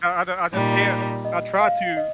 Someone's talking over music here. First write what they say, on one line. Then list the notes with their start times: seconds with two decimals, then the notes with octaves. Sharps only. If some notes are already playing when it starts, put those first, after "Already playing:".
I I I just can't I try to
0.53 A#2 G3 D#4
1.25 D#5
1.61 F5
1.97 D#5